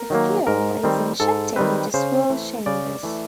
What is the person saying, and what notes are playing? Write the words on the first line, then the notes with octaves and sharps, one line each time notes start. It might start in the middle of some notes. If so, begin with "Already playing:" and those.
The fuel is injected into swirl chambers.
Already playing: A#4
D#3 F#3 A#3
G#2 A#4
D#3 G3 C4
G#2 A4
D#3 G3 C4 B4
C#3 C5
E3 A3
C#3 D5
E3 A3